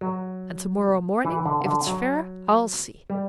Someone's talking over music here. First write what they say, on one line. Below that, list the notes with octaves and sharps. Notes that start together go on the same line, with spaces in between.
And to-morrow morning, if it's fair, I'll see!
F#3
E3
D3
D3
F#3
G3